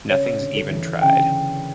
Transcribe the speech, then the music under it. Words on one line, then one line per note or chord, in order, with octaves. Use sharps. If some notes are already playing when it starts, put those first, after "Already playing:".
Nothing's even tried.
C#3 C#5
D3
A4
E3
C#3 G5
D3